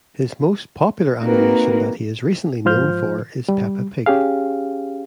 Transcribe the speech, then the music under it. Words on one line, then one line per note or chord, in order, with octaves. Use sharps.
His most popular animation that he is recently known for is Peppa Pig.
A#3 C4 D#4 F#4 A#4 B4
G#2 F3 F4 C5 F6 G6
G3
C#4 G4 G#4 F5